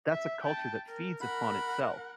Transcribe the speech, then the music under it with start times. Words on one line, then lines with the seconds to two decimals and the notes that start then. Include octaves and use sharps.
that's a culture that feeds upon itself.
0.12 E5
0.43 G5 A5
0.87 A#4
1.21 A#4 F#5 B5